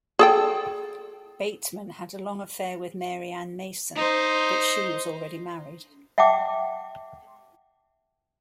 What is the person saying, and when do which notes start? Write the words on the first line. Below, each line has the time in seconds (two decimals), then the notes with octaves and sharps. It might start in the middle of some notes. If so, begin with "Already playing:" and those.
Bateman had a long affair with Mary Ann Mason, but she was already married.
0.19 G#4 A4 G5
3.96 D#4 C5
6.18 E5 F#5 G5 A5 D6